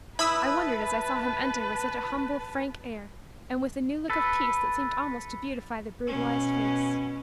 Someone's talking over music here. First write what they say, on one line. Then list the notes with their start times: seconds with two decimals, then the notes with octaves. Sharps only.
I wondered as I saw him enter with such a humble, frank air, and with a new look of peace that seemed almost to beautify the brutalized face.
0.19 E4 B4 A5 B5 D#6 E6
4.10 A4 B4
6.07 B2 C#4